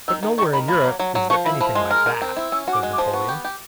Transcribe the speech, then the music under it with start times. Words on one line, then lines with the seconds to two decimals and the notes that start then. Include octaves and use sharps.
"But nowhere in Europe is there anything like that," said Napoleon.
0.08 D#3 E6
0.23 D#3
0.38 D#3 C#6
0.53 D#3 B5
0.68 A#3 B5
0.84 F#3
1.00 F#3
1.15 F#3
1.30 F3 C#6
1.45 E4 B5
1.61 F3 B5
1.75 G#3 C6
1.91 A#4 F6
2.06 A#4
2.22 C4
2.37 E4
2.52 C#4 E6
2.68 F#4
2.73 D6
2.83 G#3
2.93 D6
2.98 F3
3.13 B3 C#6
3.29 G4
3.45 G4